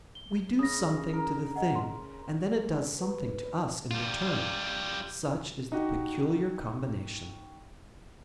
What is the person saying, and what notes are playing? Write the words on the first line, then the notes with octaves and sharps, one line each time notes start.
We do something to the thing and then it does something to us in return: such is the peculiar combination.
G7
C#3 D#6 A#6
A#4
D#5 F#5
A#5 C6
G#3
B4
G3 F4
D#4 F#4 G4